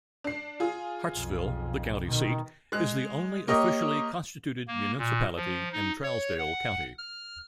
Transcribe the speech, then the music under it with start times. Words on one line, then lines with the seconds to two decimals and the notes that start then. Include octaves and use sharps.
Hartsville, the county seat, is the only officially constituted municipality in Trousdale County.
0.24 D4 C7
0.60 F4 G#4
1.14 B1 F2
2.06 B2 D#3
2.72 G#3 F#6
3.48 A#3 G4 A#4 C#5 D#5
4.68 A#3
4.98 A#2
5.36 F3
5.72 D#4
6.03 C#5
6.38 F#5
6.98 F6